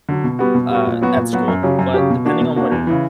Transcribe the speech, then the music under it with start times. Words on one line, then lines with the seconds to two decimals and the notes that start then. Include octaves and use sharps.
uh, at school. But depending on what it
0.09 D3 F#3
0.24 B2
0.39 G3 B3 F#4
0.55 B2
0.71 G3 B3 F#4
0.86 A#2
1.01 F#3 B3 F#4
1.17 A#2
1.33 F#3 B3 F#4
1.48 F#2
1.63 C#3 F#3 C#4 G4
1.79 F#2
1.94 C#3 F#3 C#4 G4
2.10 B2
2.25 A#3 D4 F#4
2.41 B2
2.56 A#3 D4 F#4
2.72 E2
2.87 C#3 E3